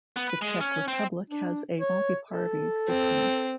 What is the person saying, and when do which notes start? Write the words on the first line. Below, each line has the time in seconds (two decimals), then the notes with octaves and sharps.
The Czech Republic has a multi-party system.
0.16 B3
0.28 B4
0.42 G#3
0.61 C#4
0.88 C4
1.30 D4
1.81 C#5
2.31 A4
2.88 C4